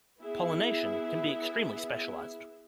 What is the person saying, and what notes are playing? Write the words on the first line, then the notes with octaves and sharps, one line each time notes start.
Pollination can be extremely specialised.
B3 E4 G#4 E5